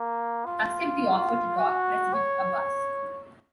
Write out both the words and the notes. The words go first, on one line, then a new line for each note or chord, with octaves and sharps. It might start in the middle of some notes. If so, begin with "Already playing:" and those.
Accept the offer to talk, President Abbas.
Already playing: A#3
F4
F#4
C#5